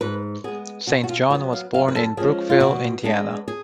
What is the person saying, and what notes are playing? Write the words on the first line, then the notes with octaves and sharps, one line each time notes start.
Saint John was born in Brookville, Indiana.
G#2 B4
G#3 B3 G#4
B2 F#4
F#4
F4
F#3 B3 F#4
F5
F#2 F5
B4
A4
F3 G#3 C#4 G#4
F4
B2 F#4
G#3 B3 D4
G#4